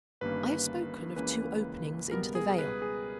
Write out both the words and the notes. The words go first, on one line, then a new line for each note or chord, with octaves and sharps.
I have spoken of two openings into the vale.
G1 G2 D#3 A#3 C#4 B4
C#2 C#3 E3 A#3 C#4 B4
C#2 B2 G3 B3 A#4
G#4
B4
G#4